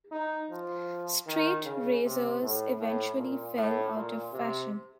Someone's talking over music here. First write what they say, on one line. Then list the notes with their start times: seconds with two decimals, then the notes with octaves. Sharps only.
Straight razors eventually fell out of fashion.
0.12 D#4
0.50 F3
1.27 D#3
1.64 C#3
2.03 C3
2.41 A2
2.79 A2
3.18 A#2
3.56 A2
3.94 A#2
4.33 C3